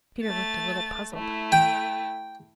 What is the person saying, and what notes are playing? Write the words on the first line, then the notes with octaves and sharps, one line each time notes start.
Peter looked a little puzzled.
A3 A6
A3 E4
G5